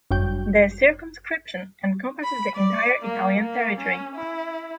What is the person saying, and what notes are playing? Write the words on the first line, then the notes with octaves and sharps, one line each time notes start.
The circumscription encompasses the entire Italian territory.
G1 F#2 G5 G6
B5
D5
A#3
A#3
C#4
E4